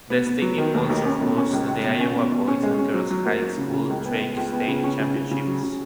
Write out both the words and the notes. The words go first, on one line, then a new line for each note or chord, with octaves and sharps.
The stadium also hosts the Iowa boys and girls high school track state championships.
B3
B3
F#3
D#3
D#2
D#2
C#4
B2
C#4
C#2
C#2
B2
C#4
B2
B2
C#4
G#3
C#4
F#3
F#3
A#3
F#3
C#3
C#3
C#2
B3
C#2
C#2
B3
C#3
C#4
C#3
C#3
C#3
F#3
C#3